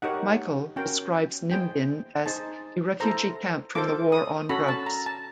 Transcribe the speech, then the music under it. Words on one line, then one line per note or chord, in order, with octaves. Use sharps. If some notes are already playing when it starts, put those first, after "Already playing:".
Michael describes Nimbin as "a refugee camp from the war on drugs".
D#4 G4 A#4 C#5 F#5
C#4 F#4 A#4 G5
E4 G#4 C5 G5
D#4 G#4 C5 A5
E4 A4 C5 A#5
F4 A4 C5 D6
D#6
C#4 F#4 A4 B5
A5
A#5
A5